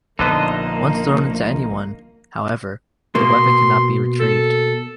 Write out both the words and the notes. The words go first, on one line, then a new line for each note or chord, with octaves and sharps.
Once thrown into anyone, however, the weapon cannot be retrieved.
A#1 D3 A#3 B3 D#4 C5 D#5
B2 A#3 C6
A4